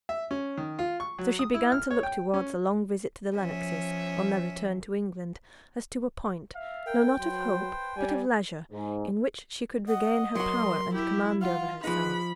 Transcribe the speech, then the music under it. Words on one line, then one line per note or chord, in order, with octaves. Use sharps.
So she began to look towards a long visit to the Lennoxes, on their return to England, as to a point--no, not of hope--but of leisure, in which she could regain her power and command over herself.
E5
C#4
D#3
F4
C#6
F#3
D#6
E4
F6
C#5
G5
C#4
F3 C#4 E5
E5 F5
A#4 G5
F#3 B4 C5
G3 D5 G#5
G#2
D#5 F#5
F#3 F#4 A#4 C6
E4 G4
F4 F5 F#5
F3 D#4 G#4 B4 B5